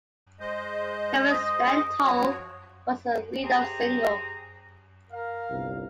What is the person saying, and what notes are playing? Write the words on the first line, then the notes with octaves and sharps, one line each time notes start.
Cummings' "Stand Tall" was the lead-off single.
G#3 C5 D#5
D#6
F3 F#4 C#5
G4 G#4 C5 A#5
A#4 F5
G1 C2